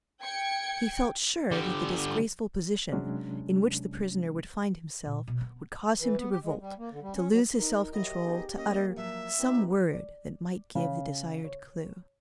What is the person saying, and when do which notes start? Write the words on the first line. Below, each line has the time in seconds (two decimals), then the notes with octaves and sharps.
He felt sure that the disgraceful position in which the prisoner would find himself would cause him to revolt, to lose his self-control, to utter some word that might give the desired clue.
0.22 G5 G#6 C#7
1.51 D3 G3
2.92 C3 F#3 G#3 C#4 D4
5.05 A#2
5.27 B2
5.41 B3
6.00 E3
6.18 B3
6.30 G4
6.43 G#3
6.61 G3
6.79 A#3
6.91 D3
7.02 G3
7.15 C#4
7.32 F#3
7.59 D#4 A#4
7.92 F#3 E4 G4 D#5
8.23 B3 D#4 G#4
8.57 A#3 C#4 D#5
8.96 F3 F#3 E5
9.39 A#3 C4 D#4 E4 G4 B4 A#5
9.93 D5
10.75 C#3
11.44 C#5